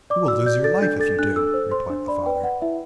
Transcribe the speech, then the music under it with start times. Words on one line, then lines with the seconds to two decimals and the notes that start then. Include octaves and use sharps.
'You will lose your life if you do,' replied the father.
0.10 D5 D6
0.28 F#4 E6
0.46 D5 G6
0.64 A4 A6
0.82 D4 G6
1.00 A4 A6
1.19 D4 F#6
1.36 A4 E6
1.54 C5
1.71 C5 C6
1.90 D4
2.08 D5 B5
2.26 B4 G5
2.44 B4 F#5
2.62 E4 E5